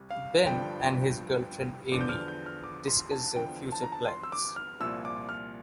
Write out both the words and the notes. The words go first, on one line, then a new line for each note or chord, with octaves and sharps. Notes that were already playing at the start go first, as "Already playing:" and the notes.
Ben and his girlfriend Amy discuss their future plans.
Already playing: C2 C3 G3
F5
G2 D3 F3 G5
E2 D3 F3 D6
G6
F6
G6
F6
D6
C6
A5
E2 D3 F3 G5
A5
A#5
A5
C6
E6
D6
F6
C2 A#2 F3 E6
D6
F6